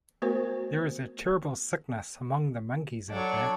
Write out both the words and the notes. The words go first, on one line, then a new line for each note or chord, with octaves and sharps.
There is a terrible sickness among the monkeys out there.
A3 B3 F#4 A#4 C5
F#3 D4 A4 C#5